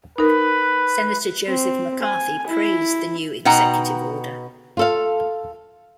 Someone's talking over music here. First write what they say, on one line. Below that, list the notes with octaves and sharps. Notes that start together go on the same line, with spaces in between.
Senator Joseph McCarthy praised the new Executive Order.
D#4 A#4 B4
C4
G#5
E4
B2 D#4 F#5 G5 A#5
F4 A4 F5